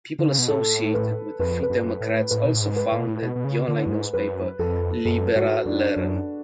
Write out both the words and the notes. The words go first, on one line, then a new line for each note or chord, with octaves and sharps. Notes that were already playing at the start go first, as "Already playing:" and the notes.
People associated with the Free Democrats also founded the online newspaper "Liberaleren".
D3
C#3
B2
A2 A4
B4
F2 B4
B4
F#2
G#2
F#2
A2
A2 B4
B2
A2
G#2
B4
A2
B2
A2
B2
B2
C#3
D3
F#2
G#2
F#2 B4
F2 A4
F#2 A4
G#2 F#4
F#2 D4
F#2